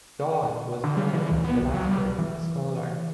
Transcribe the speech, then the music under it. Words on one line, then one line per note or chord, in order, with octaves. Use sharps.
Dunn was born in Glasgow, Scotland.
D3
G3
E3
C#2
B3
C2
F#3
G3
E3